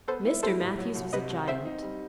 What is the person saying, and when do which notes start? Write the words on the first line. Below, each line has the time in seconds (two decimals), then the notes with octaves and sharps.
Mr. Matthews was a giant.
0.08 B3 A4 C5
0.25 E4
0.43 G3 A4 C5
0.61 A2
0.78 F#3
0.95 C2
1.13 C3 B4 D#5
1.30 C2
1.48 C4 C5 E5
1.65 D#4
1.82 G3